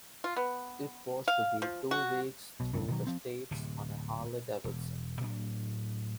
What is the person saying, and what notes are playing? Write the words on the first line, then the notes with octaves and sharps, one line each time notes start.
It was to be two weeks through the States on a Harley-Davidson.
F4
B3
F5
F3
F#4
B1 B2
F1 B1 G2 C#3
B2 D#3 F#3
F3 C4
D1 C3
E1
A2 F#3 D4